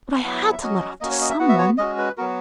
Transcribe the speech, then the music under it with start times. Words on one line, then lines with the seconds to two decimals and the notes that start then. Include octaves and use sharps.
But I had to let off to some one.
0.24 F#3 B3 E4 F#5
0.33 E5
0.43 F#5
0.53 E5
0.63 F#3 C#4 F#4 D#5
1.01 A#3 C#4 F#4 D#5
1.11 C#5
1.21 D#5
1.30 E5
1.39 B3 F#4 F#5
1.49 E5
1.58 C#5
1.78 G#3 C#4 F#4 D#5
1.98 B4
2.17 F#3 B3 F#4 A#4